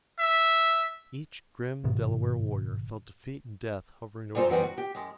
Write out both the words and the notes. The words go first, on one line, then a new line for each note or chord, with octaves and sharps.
Each grim Delaware warrior felt defeat and death hovering over him.
E5
G1 G#2 B2 D#3
G3 G#3 F4 A4 C5 A#5
E3 F#3 G3 B3 C4
F#4
G4
F#2 G#3